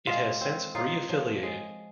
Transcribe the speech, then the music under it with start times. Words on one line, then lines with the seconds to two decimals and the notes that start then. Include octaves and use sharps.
It has since re-affiliated.
0.07 G#3 F4
0.41 C4
0.75 D#4 F4
1.09 F3
1.43 G#3